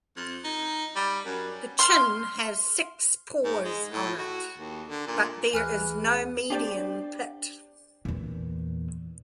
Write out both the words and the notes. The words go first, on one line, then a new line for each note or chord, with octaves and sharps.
The chin has six pores on it but there is no median pit.
F2
D#4
G3
F#2
C6 F6
G#2
G#3
A2
F#4
D#2
D3
A#2
D2 E3 G#4 G#5 F6 F#6
D4 G4 C5 D5
E2 A#2